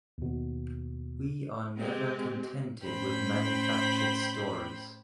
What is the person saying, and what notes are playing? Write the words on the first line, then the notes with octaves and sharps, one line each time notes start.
We are never contented with manufactured stories.
D#2 B2
G#3 C4 G4
A2 C#4 C5 G5 B5